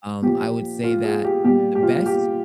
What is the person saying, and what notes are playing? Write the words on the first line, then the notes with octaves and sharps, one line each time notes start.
um, I would say that the best
A#2 F3 G4
F4
G#4
G4
A#2 G3 G4
G4
F4
G4
G4